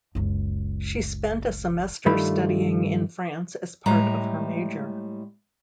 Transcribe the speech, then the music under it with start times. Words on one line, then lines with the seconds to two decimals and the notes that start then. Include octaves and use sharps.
She spent a semester studying in France as part of her major.
0.15 F#1 C#2
2.06 G2 D#3 G3 A3 F4 B5
3.86 A2 G3 G#3 A#5